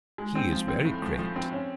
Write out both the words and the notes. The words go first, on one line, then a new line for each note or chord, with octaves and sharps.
He is very great.
G#3
C4
F3
C4
A2
F3
F3
C4
C#4